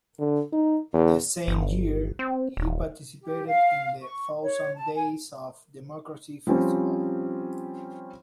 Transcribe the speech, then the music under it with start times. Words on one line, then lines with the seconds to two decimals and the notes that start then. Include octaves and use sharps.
The same year, he participated in the Thousand Days of Democracy festival.
0.19 D3
0.53 D#4
0.93 E2
1.47 G1
2.19 C4
2.57 D#1
3.22 G4
3.47 F5
4.02 C#6
4.42 C#5
4.77 A5
4.95 G#5
6.47 F3 G3 C4 C#4